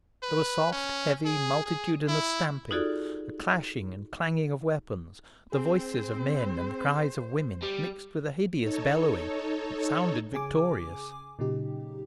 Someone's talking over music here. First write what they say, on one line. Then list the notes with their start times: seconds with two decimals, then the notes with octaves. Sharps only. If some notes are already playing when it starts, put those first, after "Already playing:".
There was soft heavy multitudinous stamping, a clashing and clanging of weapons, the voices of men and the cries of women, mixed with a hideous bellowing, which sounded victorious.
0.23 B4
0.72 C#4
1.26 G#4
1.66 G#4
2.08 E4
2.71 D#4 F4 F#4 G#4 A4 D5
5.52 C4 G#4 C5
7.62 G3
8.61 D#4 A4 C#5
10.32 C#3 G#4 G#5 D6
11.39 A#2 C#3 F#3 D#4 G4